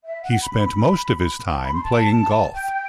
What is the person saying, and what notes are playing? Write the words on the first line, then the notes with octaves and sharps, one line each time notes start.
He spent most of his time playing golf.
E5
F#5
B5
G5
A5
B5
C6
A5
G5